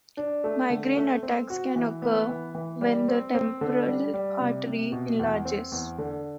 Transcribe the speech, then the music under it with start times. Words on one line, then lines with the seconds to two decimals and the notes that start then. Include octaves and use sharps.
Migraine attacks can occur when the temporal artery enlarges.
0.17 D4
0.44 A3
0.70 D3
0.96 A3
1.23 C4
1.50 F#4
1.76 E3
2.02 B3
2.29 E3
2.55 E3
2.81 G3
3.08 C4
3.34 C4
3.61 D3
3.87 G3
4.14 G3
4.40 C3
4.66 C3
4.92 B2
5.19 E2
5.45 C4
5.72 E2
5.98 D3